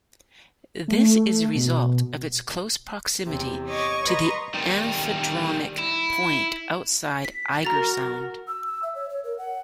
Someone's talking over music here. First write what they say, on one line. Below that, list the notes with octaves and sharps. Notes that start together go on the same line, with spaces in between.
This is a result of its close proximity to the amphidromic point outside Eigersund.
A3
B2
E2 C3
C#5 D#5 C#6 D6 G#6
B4 D#5 A#5 C6 C#6 D#6
D#3 G3
E4
B6
F#4 A#4 A#5 A6 F7
E6
E6
E5
C#5
C#5
A#4
F#5